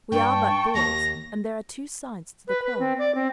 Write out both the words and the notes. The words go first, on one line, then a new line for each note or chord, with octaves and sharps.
We are but boys, and there are two sides to the quarrel.
G2 G5 A5 C#6
D#2 A#6
B4
B4
C4
D5
C4